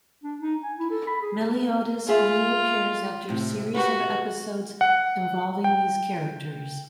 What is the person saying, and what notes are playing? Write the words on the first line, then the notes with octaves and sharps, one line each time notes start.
Meliodas only appears after a series of episodes involving these characters.
D4
D#4
G#5
E4
A4
B5
G#4
F4 G#4 E5
A2 C3
F#4 G4 B4
F#5
G5